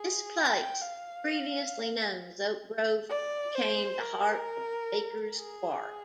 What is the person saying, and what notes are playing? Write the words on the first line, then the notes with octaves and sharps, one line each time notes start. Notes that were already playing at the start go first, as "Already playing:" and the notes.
This place, previously known as Oak Grove, became the heart of the Bakers' quarry.
Already playing: G#4
G5
F5
D5
C5
A#4
G#4